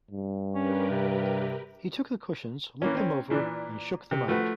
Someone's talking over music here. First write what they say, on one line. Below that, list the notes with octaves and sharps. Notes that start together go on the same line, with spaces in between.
He took the cushions, looked them over and shook them out.
G2
C#4 G4 A#4 B4
C3
E3 A#3 C#4
C4 C#4
A#2 E3 D4
C3
F3 A3 F#4 B4